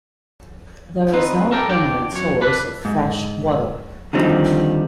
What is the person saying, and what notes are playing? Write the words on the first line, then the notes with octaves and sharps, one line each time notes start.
There is no permanent source of freshwater.
B3 C4 D#4 B4
A4 A#4 D5 G5
D4 G4 D5 G5
F#2 C#5
D4 B4
G#2
D3 D#3 F3 G3 C4 D#4